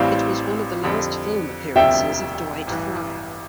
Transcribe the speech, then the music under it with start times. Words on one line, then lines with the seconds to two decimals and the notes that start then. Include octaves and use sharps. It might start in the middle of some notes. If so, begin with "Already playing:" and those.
It was one of the last film appearances of Dwight Frye.
Already playing: A1 A2 E3 G3 C4 D5 F5
0.84 F2 D3 G3
1.76 E1 D2 C3 F3 E5 G5
2.67 A1 G2 E3